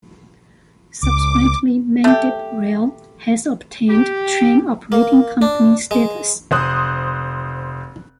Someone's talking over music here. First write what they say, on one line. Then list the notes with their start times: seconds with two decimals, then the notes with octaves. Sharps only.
Subsequently Mendip Rail has obtained train operating company status.
1.03 C#2 D6
2.04 A3 G4
3.89 G4
4.92 A#3
5.42 D4
5.91 G#3
6.51 F1 C5 D#6 F#6